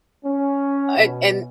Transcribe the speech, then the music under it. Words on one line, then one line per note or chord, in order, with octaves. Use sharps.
and and
C#4
B2